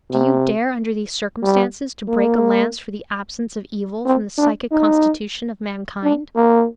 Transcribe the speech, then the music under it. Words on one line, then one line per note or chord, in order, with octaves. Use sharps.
Do you dare under these circumstances to break a lance for the absence of evil from the psychic constitution of mankind?
C3
G3
A#3
C4
D4
D#4
D4
A#3